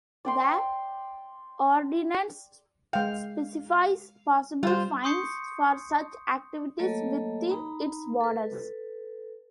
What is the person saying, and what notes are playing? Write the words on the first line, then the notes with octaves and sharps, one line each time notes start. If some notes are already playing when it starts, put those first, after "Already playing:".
The ordinance specifies possible fines for such activities within its borders.
D5 G5 C6
G#3 F5 G5
G3 F4 C5
C6 C#6 D#6 G6 C7 C#7
F#3 A3 A#3 A4 C#5 D#5
D#4 A#5 B5
A4 B4